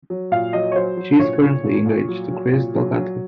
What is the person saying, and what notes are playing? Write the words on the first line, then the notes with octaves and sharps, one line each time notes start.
She is currently engaged to Chris Delgatto.
F#3
A#2 F5
F#3 D#5
C#5
F#3 C5
F#3
A#2 C#5
A#2
A#2
A#2
F#3
F#3
A#2
F#3
F#3